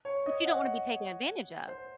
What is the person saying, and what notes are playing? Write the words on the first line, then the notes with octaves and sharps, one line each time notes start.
but you don't wanna be taken advantage of.
C#5
D#5
F#5
C5